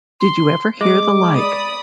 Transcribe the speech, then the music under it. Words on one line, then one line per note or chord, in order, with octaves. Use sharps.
Did you ever hear the like?
C6
G#3 D6
D5 B5 D#6